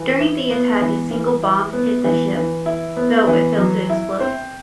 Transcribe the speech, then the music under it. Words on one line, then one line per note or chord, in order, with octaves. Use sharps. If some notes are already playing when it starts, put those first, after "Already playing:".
During the attack, a single bomb hit the ship, though it failed to explode.
Already playing: E3
E4
B3
E3
E3
E4
B3
E3
E3
E4
B3
E3
F#3
E4
C4